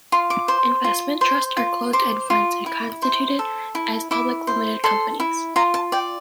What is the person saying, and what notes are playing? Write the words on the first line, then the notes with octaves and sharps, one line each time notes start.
Investment trusts are closed-end funds and are constituted as public limited companies.
F4 C6
D6
C5
F4
C5 C6
F4
C5 D6
F4
E4
C5
A4
E4
E4 D6
C5
A4 C6
E4
F4 A#5
A5
D5 G5